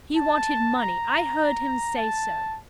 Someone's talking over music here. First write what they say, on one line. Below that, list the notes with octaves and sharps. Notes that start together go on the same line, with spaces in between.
He wanted money; I heard him say so.
A5
A#5
A5